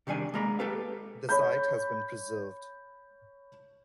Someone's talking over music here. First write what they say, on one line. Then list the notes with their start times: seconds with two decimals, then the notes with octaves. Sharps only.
The site has been preserved.
0.07 C3 D#3 G3 D4 G#5
0.34 G#3 A#3 A#5 B5
0.59 G4 A4 B4 F5
1.29 C#5 B5 G6